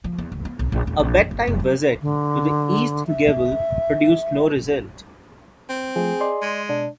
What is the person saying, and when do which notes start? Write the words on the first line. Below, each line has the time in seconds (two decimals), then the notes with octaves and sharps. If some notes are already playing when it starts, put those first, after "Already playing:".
A bedtime visit to the east gable produced no result.
0.04 F3
0.18 E2
0.32 D2
0.45 B3
0.59 B1
0.72 A#1
0.87 D#1
1.00 A#1
1.18 F#2
1.31 G1
1.47 F1
1.60 F#3
2.02 D3
3.07 E5
5.70 C4
5.96 F3 A3 G#4
6.20 D5 D#5 C6
6.42 G#3
6.69 B2 D4